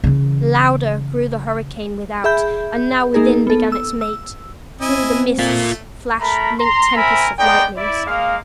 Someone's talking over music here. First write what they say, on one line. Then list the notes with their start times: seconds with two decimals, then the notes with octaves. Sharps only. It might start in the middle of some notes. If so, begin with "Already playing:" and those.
Louder grew the hurricane without; and now within began its mate. Through the mists flashed linked tempests of lightnings.
0.04 C#3 E3
2.24 G#4 E5 B5 G6
3.14 A#3 D#4 G#4 A#4
3.47 B3 A4
3.72 E6
4.01 E6
4.81 C4 E4 D#5 G#5
5.39 A3 A#3 F4
6.20 A3 A#4 A#5 B5
6.60 A#5 C6
6.96 C4 A#4 E5 G#5 B5
7.39 G#3 B3 D#4 D5 G5
7.76 E4 D5
8.07 G#3 A#3 F5